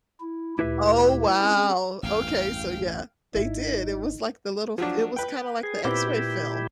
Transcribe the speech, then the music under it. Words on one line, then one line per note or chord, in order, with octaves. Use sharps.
Oh, wow, okay, so, yeah, they did, it was, like, the little f it was kinda, like, the X-ray film.
E4
D2 A#2 E4 G4 B4 E5
C4 C#4 G#4
A1 E2 G2 F5 G5
G#1 D#4 E4
F3 F#3 D4
B4 G5
G#4
A#2 B3 C4 E4 G4 D6